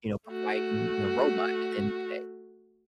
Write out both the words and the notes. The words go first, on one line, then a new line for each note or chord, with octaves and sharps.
you know, providing, you know, robot at the end of the day,
A3 F#4